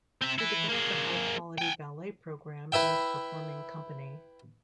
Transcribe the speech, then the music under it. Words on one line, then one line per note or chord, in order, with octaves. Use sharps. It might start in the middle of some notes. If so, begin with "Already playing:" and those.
She developed a high quality ballet program and performing company.
C4 E5
E4 B4
A#3 G#4
G5 G#5
E4 B4 E5 G5